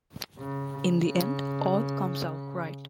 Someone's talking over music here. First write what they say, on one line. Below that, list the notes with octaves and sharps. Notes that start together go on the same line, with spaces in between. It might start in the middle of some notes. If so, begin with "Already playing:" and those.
In the end, all comes out right.
C#3
C#3